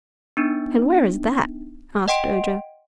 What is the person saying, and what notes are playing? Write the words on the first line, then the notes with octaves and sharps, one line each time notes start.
"And where is that?" asked Ojo.
B3 D4 D#4
D#5 F#5 G5 C6 D7